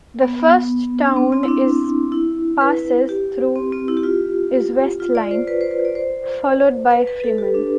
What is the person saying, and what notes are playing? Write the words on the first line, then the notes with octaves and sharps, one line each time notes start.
The first town is passes through is West Line, followed by Freeman.
B3
B3
D4
C4
C4
E4
D4
E4
B4
G4
C4
C4
E4
G4
F4
F4
D5
C5
B4
C5
B4
D5
C5
B4
B4
A4
G4
D4